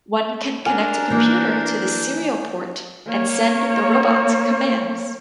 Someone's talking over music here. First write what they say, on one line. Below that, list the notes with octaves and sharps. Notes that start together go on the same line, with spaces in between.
One can connect a computer to this serial port and send the robot commands.
D4 A#4 G#5 F6
E3 A#3 C5
A#3 C#5